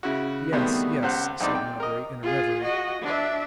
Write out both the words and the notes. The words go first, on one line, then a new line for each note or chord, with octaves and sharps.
"Yes, yes," said Melbury, in a reverie.
C#3 E4 F#4
B2 D#3 G3 A3 B3 C4
C#2 C5 F#5
B1 E2 C4 D#4 D5
G5
A#4 D#5
F4 G#4
F#4 D#5
D4 E5